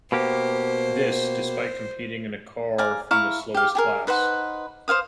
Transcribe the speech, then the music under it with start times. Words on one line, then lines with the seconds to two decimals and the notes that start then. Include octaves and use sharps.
This, despite competing in a car from the slowest class.
0.12 B2 A#3 G4 C5
2.78 D5 F5 G#5 A#5
3.11 E4 F5 A#5 C#6
3.54 G4 F5
3.75 G4 G#4 A#4
4.07 D#4 B4 C5 F#5
4.88 C5 C#5 F5 D#6